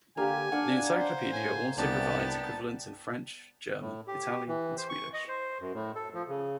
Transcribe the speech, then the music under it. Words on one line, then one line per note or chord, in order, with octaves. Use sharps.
The encyclopedia also provides equivalents in French, German, Italian, and Swedish.
D3 A#3 G4 F5 G#5
D4 F5 F#5
C5
A2 G#5
C2 B3 D4 D#5 G5 A5
A2
G4
E3
C5
C#6
D#5
C5
F#2
A2
A4
F3
C#3